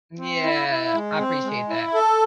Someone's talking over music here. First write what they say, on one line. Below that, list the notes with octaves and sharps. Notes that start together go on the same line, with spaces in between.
Yeah. I appreciate that.
C4
E4
E4
G#3
C4
G#3
E4
A4